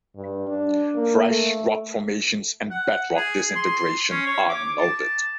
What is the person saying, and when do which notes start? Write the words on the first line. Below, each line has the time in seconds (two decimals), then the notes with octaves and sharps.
Fresh rock formations and bedrock disintegration are noted.
0.16 G2
0.47 D4
0.95 A#3
1.28 A3
2.71 F#5
3.17 G#4
3.56 C6
4.11 C#4
4.27 C#5
4.49 D6
4.79 A5